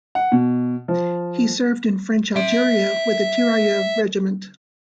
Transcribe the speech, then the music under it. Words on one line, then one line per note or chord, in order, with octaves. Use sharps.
He served in French Algeria with a Tirailleur regiment.
F#5
B2
F3
E5 C6